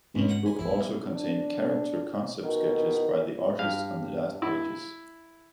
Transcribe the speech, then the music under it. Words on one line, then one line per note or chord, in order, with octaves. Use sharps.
Each book also contained character concept sketches by the artists on the last pages.
C#2 G#2 G#3
F#5
G#5
A#1 F2 F3 E4
G3 B3
D4
B2 D#3
G2 F5
E4